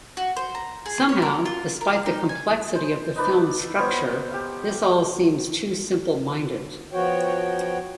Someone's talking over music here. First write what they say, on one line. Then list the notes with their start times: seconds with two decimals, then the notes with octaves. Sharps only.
Somehow, despite the complexity of the film's structure, this all seems too simple-minded.
0.17 F#4
0.36 C5
0.55 A#5
0.86 G#4
1.09 C#5
1.22 A#4
1.45 F4
1.81 A#4
2.06 D#4
2.29 G#5
2.75 C5
3.16 D#4 B4 D5
3.32 A4
3.78 B3 C5 C#5
4.30 G4 F5
6.93 F3 B3 F#4 C#5 G5